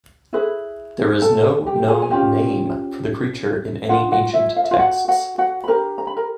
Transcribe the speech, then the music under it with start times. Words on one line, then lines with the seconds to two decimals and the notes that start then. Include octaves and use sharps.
There is no known name for the creature in any ancient texts.
0.33 E4 G#4 B4
1.22 A4 A5
1.66 G4 G5
1.88 G#4 G#5
2.02 G#5
2.11 C#4 F4 G4 G5
3.89 D4 F4 F#5
4.12 F#4 F#5
4.33 E4 E5
4.56 F5
4.64 E5
4.71 F4 F5
4.79 F#4 F#5
5.08 F#4 F#5
5.38 F#4 F#5
5.64 B5
5.68 D4 G4 A#4 A#5
5.98 A#5
6.07 B5
6.17 A#4 A#5